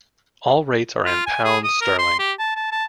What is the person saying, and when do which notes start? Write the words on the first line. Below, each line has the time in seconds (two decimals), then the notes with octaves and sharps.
All rates are in pounds sterling.
1.06 F4
1.26 G#5
1.44 G#4
1.64 D#6
1.81 A#4
1.99 C6
2.19 G4
2.39 A5
2.56 A5
2.72 A5